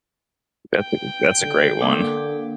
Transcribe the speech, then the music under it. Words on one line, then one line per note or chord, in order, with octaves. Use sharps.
That's a good that's a great one.
G5
D3
D3 A#3 D6